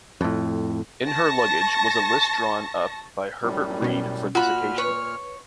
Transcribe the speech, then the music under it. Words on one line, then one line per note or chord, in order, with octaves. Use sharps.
In her luggage was a list drawn up by Herbert Read for this occasion.
F2 A2
A5 C#6 A#6
F#2 A2 G3
B2 C#4
A#2 F4 F#4 B5 F6
B4 C#5